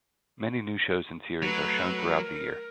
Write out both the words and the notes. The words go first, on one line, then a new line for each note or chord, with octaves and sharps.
Many new shows and series are shown throughout the year.
F#3 A3 B4
A#4